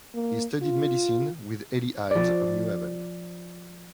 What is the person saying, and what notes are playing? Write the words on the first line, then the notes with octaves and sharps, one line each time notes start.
He studied medicine with Eli Ives of New Haven.
A#3
F4
F3 D5